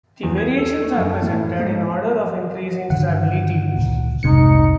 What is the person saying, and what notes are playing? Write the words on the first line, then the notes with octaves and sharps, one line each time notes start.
The variations are presented in order of increasing stability.
E2
G#6
A4
A3
F#2
A5
A2
A4
G#2
G2 D3 D#3 F#5
C#2 A#2 D#3
F1 C2 G#2 C3 G3 D#4 C#7